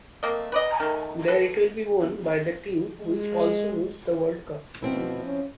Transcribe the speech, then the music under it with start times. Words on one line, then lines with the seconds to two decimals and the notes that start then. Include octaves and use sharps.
There it will be won by the team which also wins the World Cup.
0.23 A3 A#3 C4 D#5
0.52 B4 D5 D#5
0.80 D#3 A3
1.28 A4 B4
3.00 G#3
4.82 B2 F3 C4 E4
5.25 C#4